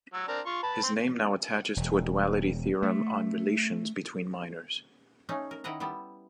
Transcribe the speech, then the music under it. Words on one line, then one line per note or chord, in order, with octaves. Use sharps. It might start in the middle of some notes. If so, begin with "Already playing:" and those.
His name now attaches to a duality theorem on relations between minors.
F#3 E6
C4 D4 A#4
F4 C#6
B4 A5
C4 C6
E1
A3
A3 C#4 D#4
A#4
D#3 E4 D#5 F#5 A#5
G3 B3 E4 A4